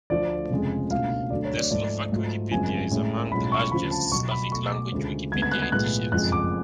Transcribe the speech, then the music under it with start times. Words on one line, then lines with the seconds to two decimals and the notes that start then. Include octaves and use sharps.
The Slovak Wikipedia is among the largest Slavic-language Wikipedia editions.
0.10 D2 D3 F3 A3 D5
0.50 F1 F2 C#3 G#3
0.91 C#2 B2 A3 D4 F5
1.30 D2 D3 F#3 A3 D5
1.45 C#5
1.57 D5
1.70 G#2 F3 A3 D5
2.12 G#2 F#3 A3 F4
2.51 G#1 F#2 C#3 F3 G#3 G#5
2.91 A2 G#3 C#4
3.31 B1 A2 G#3 C#4 F4 B5
3.52 C#6
3.72 D2 C#3 F3 B5
3.91 A5
4.11 B1 B2 F#3 C#6
4.31 B5
4.52 B1 B2 A3 C#6
4.72 D6
4.92 D2 C#3 G#3 D4 F4
5.32 D2 C#3 G#3 B3 G#6
5.42 G#6
5.52 F#6
5.62 G#6
5.72 B1 A2 G#3 B3 F4 F#6
6.12 F#1 F2 F3 G#3 F#6
6.32 D6